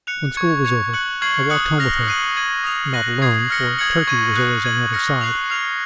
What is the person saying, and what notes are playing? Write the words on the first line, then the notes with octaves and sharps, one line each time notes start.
When school was over, I walked home with her--not alone, for Turkey was always on the other side.
F#6 C#7 F7
C#6 G#6 C#7
C#6 G#6 C#7 F7
F#6 C#7 F#7
C#6 F6 G#6 C7 F#7
D#6 F#6 C#7 F#7
F6 A#6 F7
F#6 C7 D#7 F#7
G#6 D#7 F#7
D#6 A#6 F7
F#6 A#6 D#7 F#7
D#6 G#6 C7
F6 A#6 C#7 F#7
D#6 G#6 C#7 F#7
C#6 G#6 D#7
D#6 F#6 C7
G#6 D#7 F#7
F6 A#6 C#7
F#6 C7 F7
F6 C7 F7